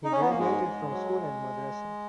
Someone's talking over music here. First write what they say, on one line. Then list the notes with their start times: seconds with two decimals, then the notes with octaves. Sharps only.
He graduated from school and madrasa.
0.04 D#4
0.12 C#4
0.21 B3
0.30 A#3
0.38 G#2 G#3
0.64 G#2
0.90 F#3